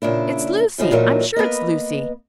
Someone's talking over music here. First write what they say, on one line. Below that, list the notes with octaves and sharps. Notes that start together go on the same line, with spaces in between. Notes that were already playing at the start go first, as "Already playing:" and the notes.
It's Lucy--I'm sure it's Lucy!
A#2 C#3 D4 E4
A2 C#3 F3 D#5 F5
A#2 E3 F#3 A3 A#3 D#4
A#3 B3 B4 D#5